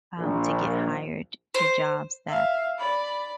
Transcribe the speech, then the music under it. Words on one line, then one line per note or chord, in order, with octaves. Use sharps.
um, to get hired to jobs that
A#1
C5
E5 F5
D5 B5